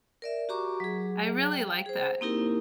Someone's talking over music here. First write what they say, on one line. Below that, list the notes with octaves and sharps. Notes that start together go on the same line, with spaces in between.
I really like that.
A#4 D5 E5
F#4 G4 A#5 C#6 D6
F#3 G#4
G5
G#4 C5
A#3 C4 D#4 E4 G4 A#4